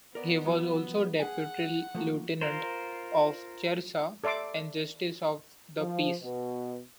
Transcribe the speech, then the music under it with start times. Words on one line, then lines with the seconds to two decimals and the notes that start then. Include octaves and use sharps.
He was also Deputy Lieutenant of Cheshire and Justice of the Peace.
0.15 B3 A#4 D5
0.45 F3 F#3
1.20 G#4 F#5 G#5
1.95 F3 A3 A#3
2.42 F4 A#4 C5
4.24 A4 D5 E5 C6 D6
5.79 F3
6.21 B2